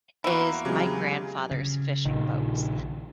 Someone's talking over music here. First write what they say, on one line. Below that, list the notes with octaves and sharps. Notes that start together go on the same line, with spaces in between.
is my grandfather's fishing boat.
E2 A#3 E4 F#4
C#3 F#3 G#3 C4 G4
C#3
A#1 D#3